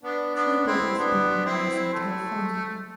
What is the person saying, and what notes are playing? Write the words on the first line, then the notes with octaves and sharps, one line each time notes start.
Trueblood was born and raised in California.
B3 D4
B3 D4
C4 E4
B3 D4
C4 E4
A3